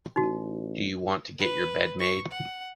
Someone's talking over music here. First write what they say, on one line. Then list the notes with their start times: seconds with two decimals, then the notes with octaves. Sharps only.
Do you want to get your bed made?
0.16 A1 D#4 F#4
1.39 B4
1.99 C#6
2.31 F#5